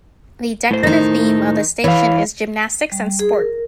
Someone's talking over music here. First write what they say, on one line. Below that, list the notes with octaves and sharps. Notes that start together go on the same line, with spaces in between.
The decorative theme of the station is "gymnastics and sport".
A2 C5
D#3 D#4
E3 C#5 F5
G3
G#4
A#4